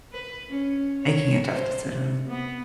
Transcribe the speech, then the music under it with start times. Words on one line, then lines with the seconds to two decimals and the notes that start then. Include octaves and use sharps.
making a tough decision?
0.12 B4
0.49 C#4
1.01 C#5
1.52 C5
1.91 C3
2.28 B3